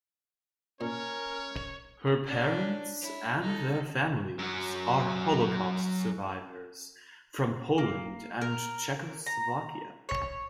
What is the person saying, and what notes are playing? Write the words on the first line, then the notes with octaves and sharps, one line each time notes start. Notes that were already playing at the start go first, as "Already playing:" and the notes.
Her parents and their families are Holocaust survivors from Poland and Czechoslovakia.
A#2 C#4 A#4 C#5
C#4 D4
E4 C#5
D#4 A4
F#2 F#3
A#3
A#4
A#5
C#5